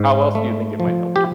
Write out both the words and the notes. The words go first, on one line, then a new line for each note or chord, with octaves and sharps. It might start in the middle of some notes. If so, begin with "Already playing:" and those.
how else do you think it might help you?
Already playing: G#2
A3
F3
G4